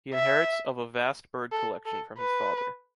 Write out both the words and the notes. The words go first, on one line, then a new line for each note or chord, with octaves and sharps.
He inherits of a vast bird collection from his father.
E5
A4
A4
B4